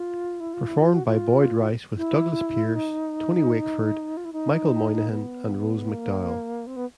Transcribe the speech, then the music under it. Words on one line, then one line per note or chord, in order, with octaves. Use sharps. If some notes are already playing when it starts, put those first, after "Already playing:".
Performed by Boyd Rice with Douglas Pearce, Tony Wakeford, Michael Moynihan and Rose McDowall.
Already playing: F4
E4
F4
E4
F4
F#4
F4
E4
D#4
F4
E4
D#4
B3
A#3
C4
B3